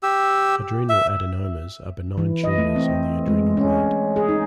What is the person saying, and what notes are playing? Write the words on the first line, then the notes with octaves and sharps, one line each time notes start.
Adrenal Adenomas are benign tumors on the adrenal gland.
G4 E6
E5
E3
D#5
A3
C4
G#3
C#4
G#4
D#4